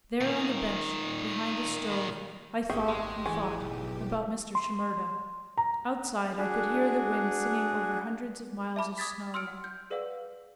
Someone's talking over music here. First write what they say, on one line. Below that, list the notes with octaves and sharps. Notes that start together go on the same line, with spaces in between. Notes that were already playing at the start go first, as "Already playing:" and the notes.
There, on the bench behind the stove, I thought and thought about Mr. Shimerda. Outside I could hear the wind singing over hundreds of miles of snow.
A#2 D#3
G#1 G4 G#4 E5 G5 C#6
G#3 C6 C#6
E3 G#4 G#5 C#6
B1
C6
A#5
D4 F#4 G#4
E5 A5 B5 D6
D6 D#6 G#6 A6 B6
C6 E6 F6 C#7 D7
F#5
G6
G#4 B4 D5 F5 F#5 E6